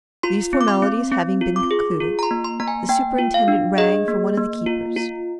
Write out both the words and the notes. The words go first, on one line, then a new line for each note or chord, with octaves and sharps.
These formalities having been concluded, the superintendent rang for one of the keepers.
F4 C6
C4
D6
C6
C4
C4
F4
D6
G#4
F4
A#5
C6
A#3
C6
A#3 A#5
G#5
A#3 G5
F4
F5
D4
G#4 D#5
A#3
A#3
F4
F4